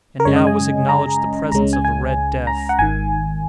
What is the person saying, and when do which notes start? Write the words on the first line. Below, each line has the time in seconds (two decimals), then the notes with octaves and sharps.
And now was acknowledged the presence of the Red Death.
0.20 A#4
0.25 F#2 C#3 G#3 C#4 C#5
0.36 D#5
0.47 G#5
0.89 A#5
1.52 C#2 C#3 G#3 C#4 A#5
1.73 G#5
1.85 G#5
2.47 A#5
2.69 F#5
2.79 G#1 G#2 D#3 G#5